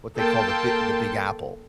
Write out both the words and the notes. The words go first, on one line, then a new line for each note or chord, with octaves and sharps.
what they call the Bi the Big Apple.
A#3 A4 A#4 G5 A5 C6